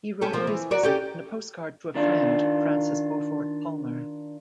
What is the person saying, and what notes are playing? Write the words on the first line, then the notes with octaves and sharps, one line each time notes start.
He wrote of his visit in a postcard to a friend, Francis Beaufort Palmer.
C#4 G4 A4
F3 A#3 C4
E3
F#4 A#4 D5
C#4 G4 A4
D#3 D4 F4